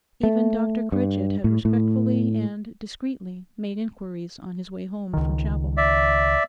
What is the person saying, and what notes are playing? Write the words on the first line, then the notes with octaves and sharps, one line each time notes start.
Even Dr Critchett had respectfully and discreetly made inquiries on his way home from chapel.
A3
G2
A2
A2
C#2 D#3
D5 E5